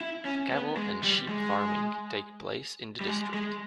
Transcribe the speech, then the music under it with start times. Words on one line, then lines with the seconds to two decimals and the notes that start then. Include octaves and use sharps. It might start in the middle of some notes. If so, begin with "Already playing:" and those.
Cattle and sheep farming take place in the district.
0.01 E4
0.25 C#4
0.52 B3
0.77 G#3
1.03 G3
1.29 G#3
3.01 G3
3.08 G#3
3.34 G#3